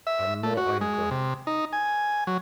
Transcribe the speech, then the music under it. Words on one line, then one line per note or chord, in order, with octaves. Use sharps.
I'm no oinker.
E5
A3
F#4
G#3
C3
D#4
G#5
F#3